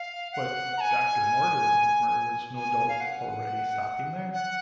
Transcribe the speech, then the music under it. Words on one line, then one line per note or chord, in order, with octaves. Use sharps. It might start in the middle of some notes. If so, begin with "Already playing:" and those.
"But Dr. Mortimer was no doubt already stopping there?"
Already playing: F5
F#5
A#5
G#5
G#5
F5
F#5
F#5